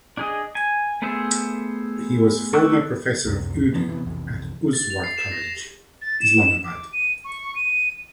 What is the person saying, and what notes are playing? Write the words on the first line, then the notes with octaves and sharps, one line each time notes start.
He was former professor of Urdu at Uswa College Islamabad.
D4 G#4 D#5
G#5
A3 B3 G#4 C5 E5
A3 C#6 D6 E6 F#6
C#2 F#2 C3
E3 F3 G3 B3
C3 E3 B3
B1 F2 C3 E3
A6
F7
C7
E7
A#6
A6
E7
D6
D#7
C#6
D#7